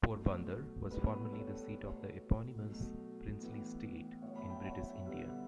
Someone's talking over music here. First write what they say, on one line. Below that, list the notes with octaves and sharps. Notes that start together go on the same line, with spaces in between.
Porbandar was formerly the seat of the eponymous princely state in British India.
B2 F#3 A3
A2 G3 B3 B4
A4 C#5
B2 A3 A4 C#5
B2 F#3 A3
A2 E3 B3
A2 F#3 B3 C#5 E5
B5
A5
G5
F#5
C#5 E5
D3 G3 B3